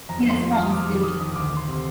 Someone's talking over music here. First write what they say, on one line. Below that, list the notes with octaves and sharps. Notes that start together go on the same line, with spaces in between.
He responds Didn't.
F2 A#5
F2 C6
F3
F6
F3
D#6
F2 D6
D#3 D6
D#3 D#6
D#3 D#6
D2 D6
D#3 C6
C3